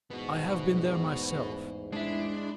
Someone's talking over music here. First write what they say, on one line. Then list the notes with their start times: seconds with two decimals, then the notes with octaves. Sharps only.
I have been there myself.
0.11 A1 E2 G#2 B3 F#4
1.92 G#3 D4 E4